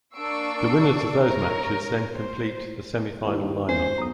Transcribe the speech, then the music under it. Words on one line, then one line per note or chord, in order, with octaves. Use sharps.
The winners of those matches then complete the semi-final line up.
A#3 D4 C#6 E6 C7 D7
A#4 C#5
C5
D#2 E4
G#1 C#4 C5 G#5
B1 A#5 D#6